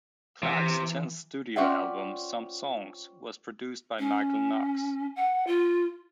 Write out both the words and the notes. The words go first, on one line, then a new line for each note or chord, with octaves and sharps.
Clark's tenth studio album, "Some Songs", was produced by Michael Knox.
C3 E3
C4 C#4 F4 D5 E5 F#5
C#4
F#5
F4